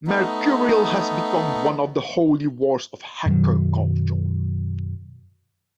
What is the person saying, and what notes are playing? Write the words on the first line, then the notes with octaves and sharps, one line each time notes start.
Mercurial has become one of the holy wars of hacker culture.
A3 B3 D#4
F#2 B2 D#3 F#3